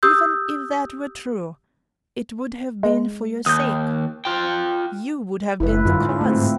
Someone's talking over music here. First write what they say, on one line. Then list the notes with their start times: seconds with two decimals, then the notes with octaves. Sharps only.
"Even if that were true, it would have been for your sake... you would have been the cause."
0.03 G4 D#6 E6 G6
2.83 G#3
3.46 D#2 D#6 G6
4.25 F4 G5
5.60 F#1 E4 B4
5.85 F#2 D3 F4
6.00 G#2
6.21 A3 C4